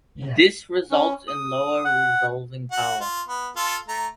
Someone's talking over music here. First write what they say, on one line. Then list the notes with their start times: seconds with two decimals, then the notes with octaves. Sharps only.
This results in lower resolving power.
0.91 C#4
1.28 D#6
1.85 F#5
2.72 F#4 F#5
3.00 F4
3.28 B3
3.56 F4 A4
3.88 A3 A#5